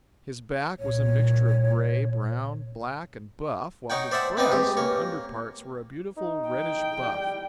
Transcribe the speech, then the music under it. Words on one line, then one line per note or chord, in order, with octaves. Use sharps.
His back was a mixture of gray, brown, black and buff, while his breast and under parts were a beautiful reddish-buff.
C2 A#2 C#5
D#4 C#5 F#5 G5
C5 D5 E5 F#5 A5
B3 C4 D#4 D5 D#5
G#2 G4
A#3 C#5
D#4
G5
G3